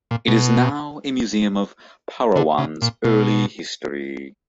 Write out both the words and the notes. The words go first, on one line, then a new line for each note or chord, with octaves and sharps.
It is now a museum of Parowan's early history.
A#2
B2
D3
C#3
A#2
B2